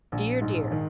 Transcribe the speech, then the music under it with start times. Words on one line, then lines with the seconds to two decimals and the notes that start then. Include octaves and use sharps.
Dear, dear!
0.12 A#1
0.41 G#2
0.72 D#3